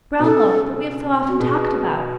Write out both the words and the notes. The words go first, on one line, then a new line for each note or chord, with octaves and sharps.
Brownlow, that we have so often talked about.'
B2
C#3 A4
F#4
B2 G#4